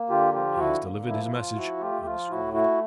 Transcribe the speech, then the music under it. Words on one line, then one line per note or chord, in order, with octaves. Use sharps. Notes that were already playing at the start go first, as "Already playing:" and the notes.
"He has delivered his message," Ernest cried.
Already playing: A#3
D3 F4 G4
F3 F4 G4
D3 E4 F#4
A#3
F3 E4
E4
F3 F4
F3 E4 F#4
A3 F4 G4
F3 F4
A2 E4 F#4
A3 E4 F#4